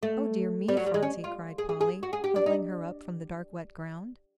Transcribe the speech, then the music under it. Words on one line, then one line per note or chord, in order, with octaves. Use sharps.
"Oh dear me, Phronsie!" cried Polly, huddling her up from the dark, wet ground.
A3
G3
F#3
G3
G#3
C#4
F4
G#4
G#4
G#4
F#4
G#4
G4
D4
D#4